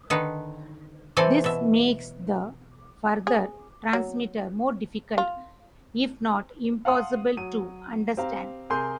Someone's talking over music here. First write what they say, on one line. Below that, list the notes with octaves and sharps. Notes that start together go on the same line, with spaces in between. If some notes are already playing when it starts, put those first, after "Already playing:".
This makes the farther transmitter more difficult, if not impossible, to understand.
D3 D#3 D#4 B4
C3 E3 C4 A4 D5 G#5
B2 E5
G#4
F#3
F4
F5 F#5 A5 C6 D#6
F#3 D#7
C4 G4 F5 A#5
C3 G#4 A#4 G#5 C6 G6